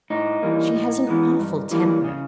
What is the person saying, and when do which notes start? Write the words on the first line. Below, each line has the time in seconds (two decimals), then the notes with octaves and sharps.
'She has an awful temper.'
0.10 A2 D#4
0.42 E3 G3 A#3
0.75 A2
1.08 E3 G#3 B3
1.39 G2
1.71 E3 G3 A#3
2.04 C#3